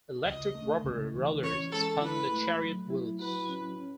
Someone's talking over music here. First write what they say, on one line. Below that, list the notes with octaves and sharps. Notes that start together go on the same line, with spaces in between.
Electric rubber rollers spun the chariot wheels.
C#2 D#5
A3
C#2
E3
C#4 C#5
G#3 A4
E4 B4
A3
F#3
E4
F#4 B4
C#4
C#4